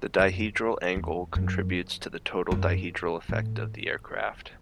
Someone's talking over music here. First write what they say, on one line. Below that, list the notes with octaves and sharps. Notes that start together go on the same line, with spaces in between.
The dihedral angle contributes to the total dihedral effect of the aircraft.
F#2
E2
F#2
F#2
A2